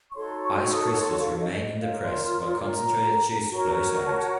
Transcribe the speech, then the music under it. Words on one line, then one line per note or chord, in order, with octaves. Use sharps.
Ice crystals remain in the press, while concentrated juice flows out.
C#6
D#4 F#4 A4 C#5 C6
C#6
C6
C#6
D#6
C6
F5
D#5
D#5
F4 A#4 C#5 F5
C6
C6
A#5
F#4 A#4 C#5
A5
F#5